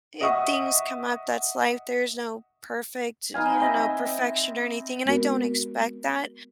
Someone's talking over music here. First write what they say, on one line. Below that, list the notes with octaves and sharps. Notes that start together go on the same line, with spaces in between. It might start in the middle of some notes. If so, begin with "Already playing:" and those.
eh, things come up, that's life, there's no perfect, you know, perfection or anything, and I don't expect that,
D#5 E5 F#5 C#6 D#6
D#4 B4 F5 G#5
C4 D#5 E5
G#3 B3 C4 F#4 A#4